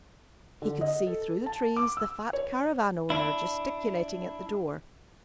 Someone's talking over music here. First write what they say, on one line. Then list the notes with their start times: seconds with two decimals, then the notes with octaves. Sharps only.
He could see through the trees the fat caravan-owner gesticulating at the door.
0.62 D3
0.81 D#5
1.07 A4
1.46 A5
1.77 D6
1.97 E6
2.33 C#5
3.10 D4 E4